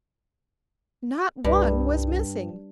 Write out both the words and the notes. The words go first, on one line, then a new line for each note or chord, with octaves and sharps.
Not one was missing.
C2 G2